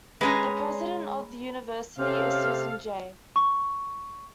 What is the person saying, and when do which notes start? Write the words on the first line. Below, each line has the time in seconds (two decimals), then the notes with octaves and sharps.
The president of the university is Susan J.
0.21 G#3 C#4 B4 G#5 A#5
1.98 C3 C#4 A4 F5
3.36 C#6